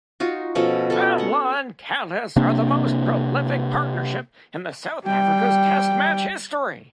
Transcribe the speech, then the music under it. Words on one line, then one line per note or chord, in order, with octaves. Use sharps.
Amla and Kallis are the most prolific partnership in South Africa's test match history.
D#4 F4 F#4
B2 F3 C#4 A4
B3 A4
C#4 F#5
C3 A#3 C4 D4
G3 G5